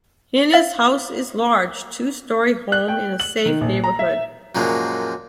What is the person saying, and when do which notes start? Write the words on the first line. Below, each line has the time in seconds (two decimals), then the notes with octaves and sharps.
Hina's house is a large, two story home in a safe neighborhood.
0.52 E5 F5 A6
2.72 F#6
2.88 G5
3.20 F#7
3.46 D#3
3.61 A#1
3.84 A#5
3.99 E5
4.55 F#2 A#2 F3 F#3 G#3